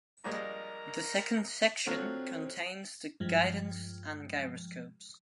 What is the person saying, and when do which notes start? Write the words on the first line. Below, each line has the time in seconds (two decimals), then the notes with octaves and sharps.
The second section contains the guidance and gyroscopes.
0.24 A#1 G3 G#3 A#4 A#5
1.86 D3 F#3 C4 F4
3.20 G2 F3 G#3